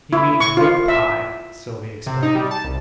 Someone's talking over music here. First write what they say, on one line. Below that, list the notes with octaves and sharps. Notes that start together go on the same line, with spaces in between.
"He means rook-pie," Sylvie explained.
E4
C#6
F4
E5
C3
D#4
G3
A5
C2